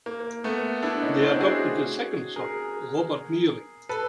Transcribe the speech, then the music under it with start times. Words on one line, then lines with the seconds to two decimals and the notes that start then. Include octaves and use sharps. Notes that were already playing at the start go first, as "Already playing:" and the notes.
They adopted a second son, Robert Nearing.
0.06 A#3
0.44 A3 B3
0.82 D4 E4
1.02 C#4 D#4
1.21 C4 D4
1.40 F#4 G#4
2.36 G#4 A#4
3.89 A4 B4